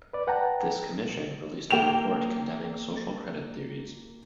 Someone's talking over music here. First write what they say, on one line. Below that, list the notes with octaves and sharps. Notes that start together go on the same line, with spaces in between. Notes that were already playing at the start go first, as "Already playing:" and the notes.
This commission released a report condemning Social Credit theories.
B4 D5
B4 F#5 G5 A5 A#5
A#3 G5 E7 F7